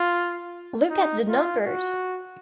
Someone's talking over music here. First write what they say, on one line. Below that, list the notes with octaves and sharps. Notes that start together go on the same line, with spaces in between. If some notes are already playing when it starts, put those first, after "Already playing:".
Look at the Numbers!
Already playing: F4
D#4
F4
F#4